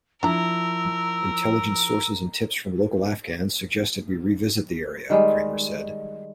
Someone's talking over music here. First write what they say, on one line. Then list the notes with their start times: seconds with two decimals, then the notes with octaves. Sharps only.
"Intelligence sources and tips from local Afghans suggested we revisit the area," Cramer said.
0.23 F3 D4 E4 A#4 A#5 E6
5.10 D#3 G3 G#3